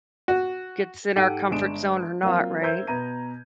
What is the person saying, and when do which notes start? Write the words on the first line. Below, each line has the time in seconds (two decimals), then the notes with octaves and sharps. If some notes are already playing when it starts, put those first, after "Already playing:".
gets in our comfort zone or not, right?
0.28 F#4
1.15 G#2 G4 A4 F#5 D7 D#7
1.51 G1 G#3 D4 D7 E7
2.23 F#3 A#3 C4 F4
2.62 A#4 C5 E5 E6 G6 G#6
2.87 B2 B3 A#5 D#7